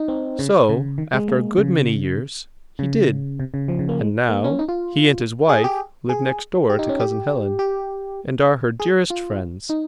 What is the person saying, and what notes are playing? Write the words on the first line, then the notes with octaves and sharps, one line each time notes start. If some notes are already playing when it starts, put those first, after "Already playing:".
So after a good many years, he did, and now he and his wife live next door to Cousin Helen, and are her dearest friends.
Already playing: D#4
C4
C#3
C#3
D#3
G#3
A#3
C#3
C#3
C3
C#3
F3
C#3
A#3
G#3
A#3
C#4
D#4
F4
G#4
G4
G#4
G4
D#4
C#4
G4
G4
G#4
F4
D#4